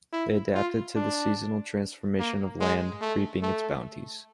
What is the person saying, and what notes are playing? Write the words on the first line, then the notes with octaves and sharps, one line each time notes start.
They adapted to the seasonal transformation of land, reaping its bounties.
E4
F4
D4
A#3
G#3
A3
A3